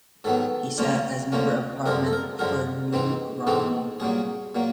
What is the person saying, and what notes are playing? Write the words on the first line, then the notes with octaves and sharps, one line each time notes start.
He sat as Member of Parliament for New Romney.
G#2 D#3 F#3 B3 A4
D2 D3 F3 A#3 C#4
D2 D3 F3 A#3 C#4
F#2 D3 F3 G#3 A#4
A4
A#4
F#2 D3 F3 G#3 A#4
G#2 E3 G#3 C4 D#4
G#2 E3 G#3 C4 D#4 A4
C2 A#2 F#3 A#3 G#4
A#2 F#3 A#3